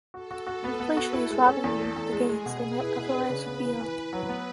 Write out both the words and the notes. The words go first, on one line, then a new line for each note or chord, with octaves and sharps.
Inflation is robbing them of the gains they might otherwise feel.
F#4 A4
F#4
F#4
B3 B4
B3
F#4
E4 A4
G#3
C#4
E2 A4
A3
E2
G#3 G#4
G#3
B2
B2 B4
E4
B2
D4 B4
C#3
B3
E3
E3
E3
F#3 B4
B3